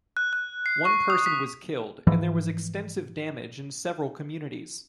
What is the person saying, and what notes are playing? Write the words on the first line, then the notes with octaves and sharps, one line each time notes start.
One person was killed and there was extensive damage in several communities.
F#6
F#6
C7
C#6
D#6
B6
G#2 E3 F3